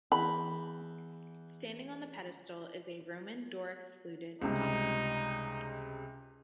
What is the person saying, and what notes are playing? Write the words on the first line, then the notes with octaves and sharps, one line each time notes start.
Standing on the pedestal is a Roman Doric fluted column.
E2 B5
C#2 C3 G3 D#4